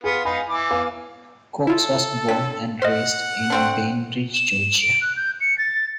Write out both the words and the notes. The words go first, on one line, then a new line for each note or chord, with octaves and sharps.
Cox was born and raised in Bainbridge, Georgia.
B3 F4 G#4
B3 D#4 F5 G#5 B5
E3 D6
B3 F5 G#5
E4 F4 A4
D3 C#5 A5 B6
C5 D#5 F#5 F6 B6
A3 C4 D4
E7
D7
F#6
G6
C#7
A6